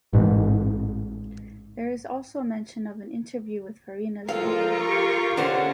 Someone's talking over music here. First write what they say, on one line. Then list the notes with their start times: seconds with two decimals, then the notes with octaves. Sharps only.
There is also mention of an interview with Farina's mother.
0.13 A1 G#2
4.29 F3 G#3 F4 A4 A#4 F5
4.83 G4 C#6
5.37 D3 C#4 C5 F#5